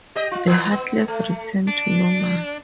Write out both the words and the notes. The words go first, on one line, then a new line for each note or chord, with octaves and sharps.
The Heartless return to normal.
G4 D#5
F4
E3 A#3 B3
B3
A3
D4